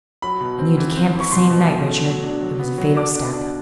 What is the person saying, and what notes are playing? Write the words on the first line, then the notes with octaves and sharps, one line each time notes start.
"And you decamped the same night, Richard; it was a fatal step."
F#3 B5
B2
C4
E3
C4
E3
C#6
B2 C6
B2
B2
A3
F#3
D4
F#3
B3
F#3
D4 D6
B2
D4